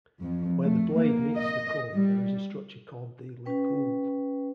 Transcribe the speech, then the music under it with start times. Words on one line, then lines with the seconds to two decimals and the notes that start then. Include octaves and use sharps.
Where the blade meets the culm there is a structure called the ligule.
0.21 F2
0.62 A3
0.95 A#3
1.35 D#5
1.94 G3
3.46 C#4 B4 G5